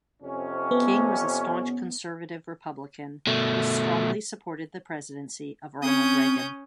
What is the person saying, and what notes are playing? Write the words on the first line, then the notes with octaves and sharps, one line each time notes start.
King was a staunch conservative Republican who strongly supported the presidency of Ronald Reagan.
F2 C3 C#4
B3
B2 A3
C4 C#4 D#6 G6